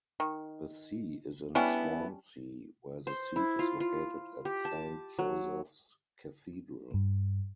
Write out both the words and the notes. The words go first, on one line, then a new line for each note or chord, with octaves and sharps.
The see is in Swansea, where the seat is located at Saint Joseph's Cathedral.
D#3
G3 B3 C#4 D4 E4
C5
E4
F4
F4
G4
A5
F#3
G2